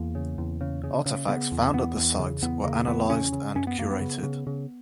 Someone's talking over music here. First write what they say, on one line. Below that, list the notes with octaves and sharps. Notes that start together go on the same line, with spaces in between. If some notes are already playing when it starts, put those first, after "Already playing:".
Artifacts found at the site were analyzed and curated.
Already playing: E2 A#3
C#3
E2
C#3
C#3
C#3
C#3 B3
E2
E2 B3
E2
C#3
E2 B3
C#3 A#3
E2 B3
C#3 C#4
C#3
F#2 C#4
B3
F#2 A#3
B3
C#3
C#3
C#3